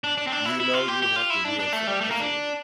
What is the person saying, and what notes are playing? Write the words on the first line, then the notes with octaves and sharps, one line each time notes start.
You know, you have to be upset, absolutely.
D4
D4
C4
D4
E4
E4
F4
G4
G4
F4
E4
D4
D4
A3
G3
A3
A#3
D4